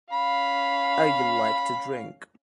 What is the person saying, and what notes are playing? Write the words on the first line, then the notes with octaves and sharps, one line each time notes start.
I like to drink.
C#4 F5 B5